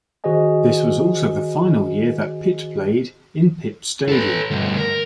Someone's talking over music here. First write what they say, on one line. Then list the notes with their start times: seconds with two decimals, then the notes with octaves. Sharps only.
This was also the final year that Pitt played in Pitt Stadium.
0.24 D#3 F#4 G#4 C5 D#5 G#5
4.09 A4 B4
4.50 D2 G2
4.77 A#4